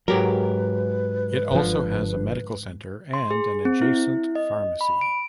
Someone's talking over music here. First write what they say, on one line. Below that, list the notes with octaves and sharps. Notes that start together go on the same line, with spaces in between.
It also has a Medical Centre and an adjacent Pharmacy.
G#2 F#3 G4 A#4 B4
G1 D3 F3
C6
G#4
C4
E4
D#5
B5
D7